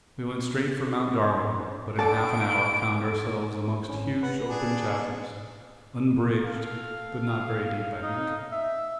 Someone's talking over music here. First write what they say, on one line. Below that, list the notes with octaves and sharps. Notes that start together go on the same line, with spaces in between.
We went straight for Mt. Darwin, but in half an hour found ourselves amongst huge open chasms, unbridged, but not very deep, I think.
A4 D5 F#5 A5 D7
G#1 C#4
B4 F#5
D4 G#4
A4 F5
D#4
E5